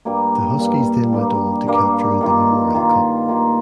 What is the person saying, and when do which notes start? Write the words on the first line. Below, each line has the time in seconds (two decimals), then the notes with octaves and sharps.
The Huskies then went on to capture the Memorial Cup.
0.05 G2 G3 A#3
0.59 G2 G3 A#3
1.13 G2 G3 A#3
1.67 G2 G3 A#3
2.21 D#3 A#3 F4
2.75 D#3 A#3 F4
3.28 D#3 A#3 F4